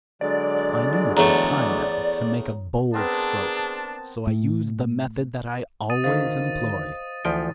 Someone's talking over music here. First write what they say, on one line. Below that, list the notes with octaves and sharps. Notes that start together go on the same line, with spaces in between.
I knew it was time now to make a bold stroke; so I used the method that I always employ.
D3 F#3 G#3 D5
E2 A3 C#5 D5 A#5
B3 C4 D4 G#4 A#4 A5
A2
D#6 A6 D#7
D2 D#3 C5 D#5 F5 A6
D2 E3 F3 G5